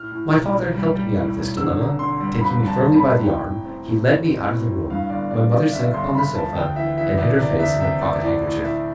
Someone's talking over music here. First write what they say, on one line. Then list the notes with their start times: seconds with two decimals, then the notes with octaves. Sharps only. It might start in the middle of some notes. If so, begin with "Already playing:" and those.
My father helped me out of this dilemma; taking me firmly by the arm, he led me out of the room: my mother sank upon the sofa, and hid her face in her pocket-handkerchief.
Already playing: A2 F6
0.12 A2
0.33 B1
0.54 B1
0.74 G3
0.95 G3
1.16 A2
1.36 B1
1.57 D3 E6
1.78 F1
1.99 D3 C6
2.20 G3
2.41 F2 B5
2.61 G3
2.68 A5
2.83 F1
2.96 B5
3.03 F1
3.23 A2 G5
3.44 A2
3.66 C4
3.86 A2
4.07 A2
4.27 C4
4.48 A2
4.69 A2
4.90 G2 F5
5.10 G1 D5
5.31 F3 D5
5.52 F3 D5
5.72 G1 E5
5.94 G1 C6
6.14 G1 B5
6.35 F3 A5
6.56 D2 G5
6.76 E3 E5
6.98 E3 E5
7.18 D2 D5
7.38 C3 D5
7.59 D2 E5
7.80 C3 E5
8.01 D2 D5
8.21 A2 D5
8.43 A2
8.64 A2 E5